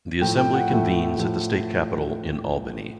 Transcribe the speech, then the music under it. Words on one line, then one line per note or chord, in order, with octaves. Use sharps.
The Assembly convenes at the State Capitol in Albany.
A2 F3 A3 G5
G5
F#5
A2 F3 A3
A2 F3 A3